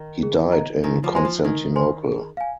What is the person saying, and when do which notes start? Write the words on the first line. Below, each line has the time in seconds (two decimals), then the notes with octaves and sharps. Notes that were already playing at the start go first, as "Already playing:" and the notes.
He died in Constantinople.
Already playing: D#3
0.23 G#4
0.52 D#5 A#5
0.84 D#3 D#4
1.04 F3
1.15 G#3 C5 G#5 C6
1.25 F3
1.45 D#3 D#4
1.76 C5 G#5 C6
2.07 G#4
2.37 F5 G#5